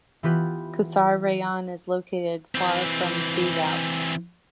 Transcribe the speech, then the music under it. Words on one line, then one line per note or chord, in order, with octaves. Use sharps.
Qusar rayon is located far from sea routes.
E3 B3 F4 G4 B4
E3 C4